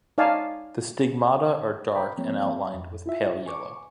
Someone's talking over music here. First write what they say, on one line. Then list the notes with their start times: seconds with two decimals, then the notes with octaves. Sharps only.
The stigmata are dark and outlined with pale yellow.
0.18 D#4 C#5 D5 F5 G#5 A5
1.95 C5 G5 A#5 B5
2.18 F3 A#3 C4 C#5
2.74 F2
3.06 E4 F4 E5
3.46 G#5 C#6 D6